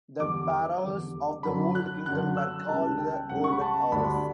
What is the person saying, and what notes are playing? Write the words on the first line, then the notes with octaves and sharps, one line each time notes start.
The Pharaohs of the Old Kingdom were called the "Golden Horus".
E2 D3 G3 D6
E2 D3 G3
F#2 D3 F#3 B5
F#6
F#2 D3 F#3 F#6
E6
C#2 C#3 G3 A5
G5
C#2 C#3 G3 F#5
C#6
B5
A5
D2 D3 G3 D4 B5